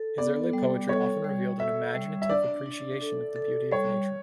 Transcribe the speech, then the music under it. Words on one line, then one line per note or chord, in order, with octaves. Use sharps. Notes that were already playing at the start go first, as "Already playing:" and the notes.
His early poetry often revealed an imaginative appreciation of the beauty of nature.
Already playing: A4
B3 D5
G3
A4 C#5
G3
A4 E5
G3
E5
D4 D5
D4
A4
A4
G3 C#5